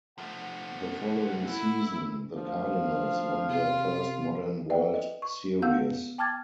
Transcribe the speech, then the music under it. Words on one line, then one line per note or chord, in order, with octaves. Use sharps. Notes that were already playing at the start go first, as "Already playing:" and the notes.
The following season, the Cardinals won their first modern World Series.
F3 A3 F#5
E4
D2 F3 F5
C3 F4
B4 D5 E5 F#5 G5
D#5
C#6
B3 F5 F#5 E6 G6
G5 A5 D6 F6 G#6 A6